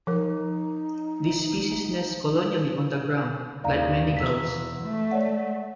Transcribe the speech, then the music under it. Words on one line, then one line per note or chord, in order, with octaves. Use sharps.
This species nests colonially on the ground, like many gulls.
F3 D#4 A#4
D#2 D5 F5 A#5
E2 E6 B6
A3
C#5 D5 F#5